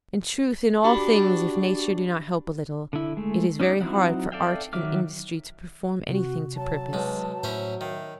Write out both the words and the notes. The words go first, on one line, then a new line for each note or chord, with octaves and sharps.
In truth, in all things, if nature do not help a little, it is very hard for art and industry to perform anything to purpose.
D4 F#4 G4 B5
D3 E4
G#3 A3
C#4 D#4 D5
F#3 C4 D#4 E4 F#4
A4 D5 E5 F5 G5
D#3 F#3 E5 D6 F6
C3 F#4
F#3 A5
B1 G#3
A2 C#4 E4 C5
D#3 E5